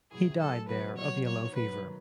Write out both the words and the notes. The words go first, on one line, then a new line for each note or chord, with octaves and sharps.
He died there of yellow fever.
B2 F#3 C#4 E4 G#4
A4
F#3 B3 F#4 B4
C#5
F#3 B3 D#4 C#5
B4
D#3 F#3